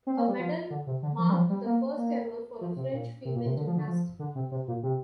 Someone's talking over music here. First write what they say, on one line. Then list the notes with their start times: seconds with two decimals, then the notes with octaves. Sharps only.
Her medal marked the first ever for a French female gymnast.
0.07 C4
0.18 A#3
0.28 G3
0.39 F3
0.70 D3
0.87 C3
1.03 D3
1.18 F3
1.29 G3
1.34 F3
1.50 G3
1.66 A#3
1.97 A#3
2.61 F3
2.76 C3
2.93 A#2
3.25 C3
3.35 A#2
3.46 C3
3.57 D3
3.67 F3
3.77 D3
3.88 F3
4.19 D3
4.35 C3
4.51 C3
4.68 A#2
4.83 C3